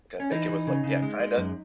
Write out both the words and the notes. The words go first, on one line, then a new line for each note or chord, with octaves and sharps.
I think it was, like yeah, kinda
C#4
E3 D#4
E3
C#3
C#3
G#3
G#3
F#2